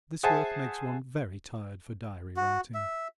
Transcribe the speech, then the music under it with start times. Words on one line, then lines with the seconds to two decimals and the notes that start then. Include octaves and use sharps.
This work makes one very tired for Diary-writing.
0.23 G#4 C5 E5 F#5 G#5 A5
2.37 F#4
2.74 E5